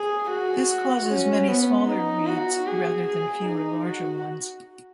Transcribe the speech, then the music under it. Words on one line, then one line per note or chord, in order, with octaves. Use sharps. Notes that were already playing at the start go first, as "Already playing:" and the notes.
This causes many smaller reads rather than fewer larger ones.
Already playing: G#4
F#4
C#4
B3
D#4
F#4
G#4
G#4
D#4
F#4